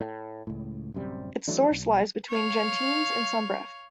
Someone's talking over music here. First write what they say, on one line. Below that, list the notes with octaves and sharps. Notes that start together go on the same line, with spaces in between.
Its source lies between Gentinnes and Sombreffe.
A2
C#2 A2
D1 F#2 C3 G3
E3 F#3 A3 D4
B1
C#5 F5